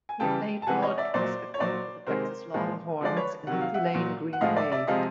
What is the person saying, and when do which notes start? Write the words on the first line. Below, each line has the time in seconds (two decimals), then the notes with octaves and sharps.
He played college basketball for the Texas Longhorns and the Tulane Green Wave.
0.09 G#5
0.20 C#3 E3 G3 G5 A5
0.62 A5
0.67 C3 E3 G#3 F#5 G#5
0.82 C#5 D#5
0.98 D5 E5
1.14 A#2 F#3 C5 D5
1.54 C#5
1.60 A#2 F#3 C5 D5
2.07 C3 D#3 G#3 A#4 C5
2.54 A#2 F3 G#3
3.01 D3 F3 G#3 D5
3.16 B4 C#5
3.47 C3 D#3 F#3 F#5
3.61 F5
3.74 E5 F#5
3.94 A#2 F#3
4.33 F#5
4.41 A2 F3 G#3 D#5 F5
4.56 D5 E5
4.72 D5 E5
4.87 C3 F3 G#3 D#5 F5